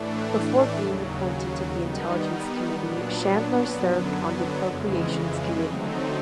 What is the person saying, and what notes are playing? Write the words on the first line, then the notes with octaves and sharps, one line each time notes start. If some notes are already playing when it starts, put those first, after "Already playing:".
Before being appointed to the Intelligence Committee, Chandler served on the Appropriations Committee.
Already playing: A2 E3 A3 D4
D#2 C#3 F#3
D#3 G3 B3 D#4
A#2 F#3 B3 D4
F#2 D3 F#3 B3
F2 C#3 E3 G#3
D3 F#3 A3 C4 D#4